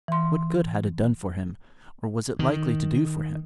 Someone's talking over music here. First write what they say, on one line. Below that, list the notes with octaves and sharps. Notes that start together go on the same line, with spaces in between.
What good had it done for him, or was it likely to do for him?
E3 C6
D#3